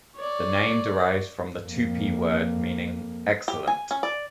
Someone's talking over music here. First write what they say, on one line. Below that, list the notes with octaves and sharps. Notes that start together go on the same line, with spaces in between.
The name derives from the Tupi word meaning "excellent".
C#5 D5
F2 A#3
G4
G#5
C#4
D5